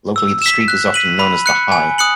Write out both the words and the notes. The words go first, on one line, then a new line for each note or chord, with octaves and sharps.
Locally the street is often known as "The High".
E6
B6 E7
F#6
B6 D#7 F#7
B5
F#6 C#7
G#5
D#6 F#6 C#7 F#7